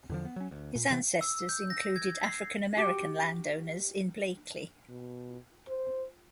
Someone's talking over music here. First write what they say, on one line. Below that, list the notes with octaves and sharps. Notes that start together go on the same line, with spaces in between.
His ancestors included African-American landowners in Blakely.
E2 D3 F3
B3
F#3 C#4
D2
A#2
C3 E3 A#3 C4
E6
G6
A#6
G#6
C7
F#4 G4
B2
C5